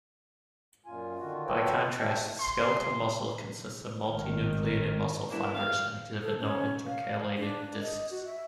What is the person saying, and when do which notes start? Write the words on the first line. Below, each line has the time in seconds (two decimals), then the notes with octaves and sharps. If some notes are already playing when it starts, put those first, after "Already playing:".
By contrast, skeletal muscle consists of multinucleated muscle fibers and exhibit no intercalated discs.
0.86 F#2 A#2 F4 G#5
1.19 D3 D#3 F4 F#4
1.46 F4 F#4 A4 B4 C#5 G5
1.99 C3 G#3 E5 G5 A5
2.40 C6
4.09 G#1 D#3
5.30 G3 A#3 B3 D4 E4
5.55 G3 F5
6.22 A4
6.39 C#4
6.86 F5
7.37 D4
7.81 D#5
8.11 F#4
8.25 E5